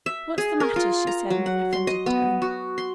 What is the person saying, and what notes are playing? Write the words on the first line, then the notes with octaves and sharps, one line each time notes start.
"What's the matter?" she said in an offended tone.
E5
G#4
A#4
F4
A#5
F#3
F#5
C6
D#5
B3
F#4
C6